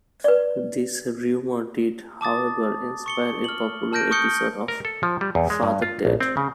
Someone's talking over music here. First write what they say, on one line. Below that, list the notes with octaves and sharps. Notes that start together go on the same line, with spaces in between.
This rumour did, however inspire a popular episode of "Father Ted".
B4 D5
A5 D6 D#6 A6
C#6 C#7 G7
F6 F#7
A5 F6 G6 A#6 D7
C#6 D#6 F6 G6 C#7 G7
A#4
A4
F3
G3
E2
G#3
G2
F4
A#1
C4
C#3